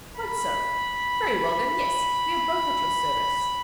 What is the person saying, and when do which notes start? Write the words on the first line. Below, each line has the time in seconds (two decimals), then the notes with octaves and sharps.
Quite so!--very well, then; yes, we are both at your service.'
0.16 B5